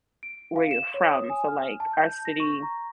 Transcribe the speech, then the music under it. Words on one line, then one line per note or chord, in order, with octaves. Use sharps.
where you're from, so, like, our city,
D7
F5
E7
C#5
D#6
G#5
F6
A5
G6
A#6
C#6
A#5